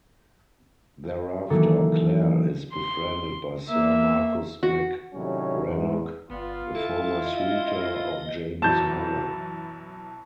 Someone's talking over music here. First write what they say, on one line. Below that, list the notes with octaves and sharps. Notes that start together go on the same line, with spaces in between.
Thereafter Claire is befriended by Sir Marcus MacRannoch, a former suitor of Jamie's mother.
D#3 E3 F#3 A#3 A4
C6
A#3 E5
F#4
A2 C3 D#3 F#3 G3 C#4
E2
G1 B3 F4
E4 A4
D#5
F#2 B2 E3 A5 G6